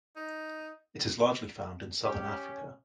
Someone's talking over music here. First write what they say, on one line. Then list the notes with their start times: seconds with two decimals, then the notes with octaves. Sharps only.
It is largely found in southern Africa.
0.16 D#4
2.05 C#4 G4